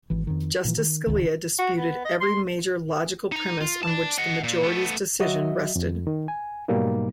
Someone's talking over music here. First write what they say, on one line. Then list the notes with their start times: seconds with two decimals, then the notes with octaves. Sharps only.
Justice Scalia disputed every major logical premise on which the majority's decision rested.
0.10 G#1 E3
0.27 F2 D#3
0.65 A#2 C#3 E3
0.77 D#3
1.07 D1 G1 C#2 D#3
1.59 F#4
1.78 B3
2.05 D#5
2.21 C6
3.32 D#4 A#5
3.61 F4
3.83 D5 A5
4.18 D#5 F#5
4.44 A#2
4.63 A3 B3
5.20 F#3 F#4 D#5 E5
5.76 F2
6.07 D#3
6.28 G#5
6.68 G#2 B2 F#3 G3 A#3 D#4